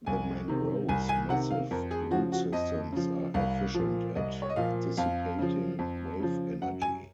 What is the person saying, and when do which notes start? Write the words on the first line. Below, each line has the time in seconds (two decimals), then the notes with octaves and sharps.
The mangroves' massive root systems are efficient at dissipating wave energy.
0.06 C2 G#5
0.48 C3 D#3
0.89 C2 G#5
1.09 G#5
1.29 C3 D#3 F#5
1.51 F5
1.71 F2 A#4
1.91 G#4
2.11 F3 F#4
2.15 C#3
2.32 F#4
2.52 F2 D#5
2.93 C#3 F3
3.34 C2 F5
3.74 F3
3.80 A#2
4.15 C2 D#5
4.42 C#5
4.49 D#5
4.56 A#2 F3 F5
4.97 F2 F5
5.39 C#3 F3
5.79 F2
6.20 C#3 F3
6.62 F#2 F#5
6.82 G#5